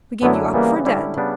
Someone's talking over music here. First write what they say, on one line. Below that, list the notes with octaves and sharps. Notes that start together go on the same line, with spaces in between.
We gave you up for dead!
F#2 D3 F#3 B3 C#4 E4
C#3 E3 G3 A#3 B3
D3 G3 C#4 E4
C#3 G3 B3 D4